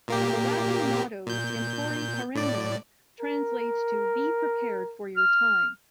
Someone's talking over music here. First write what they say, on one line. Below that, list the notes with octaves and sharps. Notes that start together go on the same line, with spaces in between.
The Latin motto "Tempori Parendum" translates to 'Be prepared for your time'.
A#2 A#3 G4
A#2 G6
A2 D5
A#4
F6